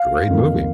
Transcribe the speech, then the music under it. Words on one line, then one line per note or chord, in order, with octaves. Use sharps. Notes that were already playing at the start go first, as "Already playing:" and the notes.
Great movie.
Already playing: F5
F2 D#3 A#3